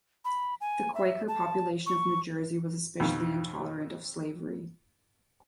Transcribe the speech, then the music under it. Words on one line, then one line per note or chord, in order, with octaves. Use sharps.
The Quaker population of New Jersey was especially intolerant of slavery.
B5
G#5
E5
A5
C#6
F2 B2 D#3